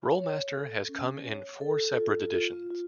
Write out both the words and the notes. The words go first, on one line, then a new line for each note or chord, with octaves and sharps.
Rolemaster has come in four separate editions.
C#5
A4
C#4
C#5
A4
F4
F4
F4